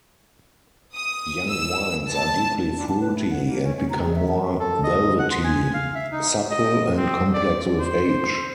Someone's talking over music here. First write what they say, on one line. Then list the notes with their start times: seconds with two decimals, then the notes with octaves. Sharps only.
Young wines are deeply fruity and become more velvety, supple and complex with age.
0.94 D#6
1.48 E6
2.11 A5
2.76 D4
2.89 A5
3.01 B4
3.14 E4
3.30 F#5
3.47 A#3
3.63 C#4
3.76 C#4
3.90 A#5
4.04 G#4
4.15 E5
4.28 A5
4.60 A4
4.83 D#5
5.19 F#5
5.31 C6
5.44 G#5
5.74 F5
5.95 E5
6.12 D#4
6.50 D#5
6.96 C4
7.33 D5
7.79 C5